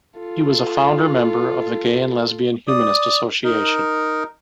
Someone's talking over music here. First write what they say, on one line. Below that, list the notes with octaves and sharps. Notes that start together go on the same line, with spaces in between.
He was a founder member of the Gay and Lesbian Humanist Association.
F4 A4
D5 D#6
D#4 A#4